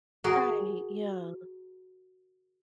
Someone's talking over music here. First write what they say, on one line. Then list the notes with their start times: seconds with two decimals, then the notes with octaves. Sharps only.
Right, yeah.
0.24 F#4 G#4 A#4